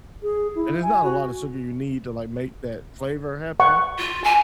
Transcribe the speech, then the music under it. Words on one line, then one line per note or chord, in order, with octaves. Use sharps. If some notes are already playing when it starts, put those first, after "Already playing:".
and it's not a lot of sugar you need to like make that flavor happen,
G#4
E4
G#5
F#4
F#5 C#6
F4
G#5